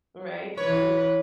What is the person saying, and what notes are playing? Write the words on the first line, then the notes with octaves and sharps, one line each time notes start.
Right, y
E3 B4 C#5